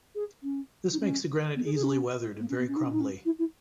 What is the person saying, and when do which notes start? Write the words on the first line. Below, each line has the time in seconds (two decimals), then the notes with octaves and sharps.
This makes the granite easily weathered and very crumbly.
0.15 G#4
0.42 C#4
0.92 D#4
0.99 C#4
1.55 B3
1.64 G#4
1.75 G#4
1.83 C#4
2.40 A#3
2.49 C#4
2.58 B3
2.67 C#4
2.76 D#4
2.84 C#4
2.92 D#4
3.00 C#4
3.25 E4
3.38 E4